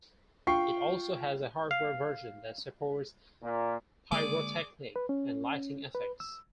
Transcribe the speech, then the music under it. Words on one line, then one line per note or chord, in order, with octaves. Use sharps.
It also has a hardware version that supports pyrotechnic and lighting effects.
F4 G5 C#6 C7
F5
A#2
D3 G#3 A#3 G#4 D5 D6
B4
C#4
B4
E6